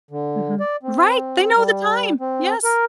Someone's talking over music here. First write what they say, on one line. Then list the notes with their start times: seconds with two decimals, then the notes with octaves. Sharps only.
Mhm. Right, they know the time! Yes,
0.11 D3
0.60 D5
0.83 C4
1.56 G3
2.20 C4
2.64 A#4